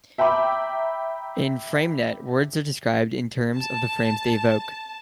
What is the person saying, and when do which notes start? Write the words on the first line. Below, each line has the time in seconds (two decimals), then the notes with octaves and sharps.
In FrameNet, words are described in terms of the frames they evoke.
0.18 E5 G5 A#5 B5 D6
3.57 A5